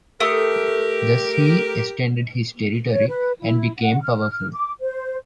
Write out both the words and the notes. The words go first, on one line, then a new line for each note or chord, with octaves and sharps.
Thus he extended his territory and became powerful.
A3 G4 A#4 D#6
C#5
B4
E4
F#5
F6
D6
C5